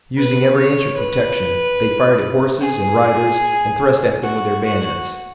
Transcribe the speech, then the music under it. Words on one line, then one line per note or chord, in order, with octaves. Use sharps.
Using every inch of protection, they fired at horses and riders and thrust at them with their bayonets.
B4
C#5
B4
G#4
F#4
F#4